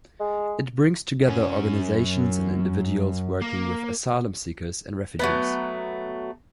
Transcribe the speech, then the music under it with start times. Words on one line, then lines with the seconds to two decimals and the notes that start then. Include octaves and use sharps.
It brings together organisations and individuals working with asylum seekers and refugees.
0.20 G#3
1.28 F#2 C#4
3.42 A#3
5.19 F#3 A3 B3